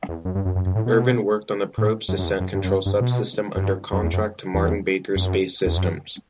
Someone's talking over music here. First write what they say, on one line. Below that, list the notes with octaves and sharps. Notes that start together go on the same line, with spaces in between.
Irvin worked on the probe's descent control sub-system under contract to Martin-Baker Space Systems.
E2
F#2
G2
F#2
F#2
F#2
A2
B2
A2
F#2
F#2
E2
F#2
G2
F#2
G2
G2
B2
F#2
G2
F#2
E2
F#2
E2
F#2
E2
F#2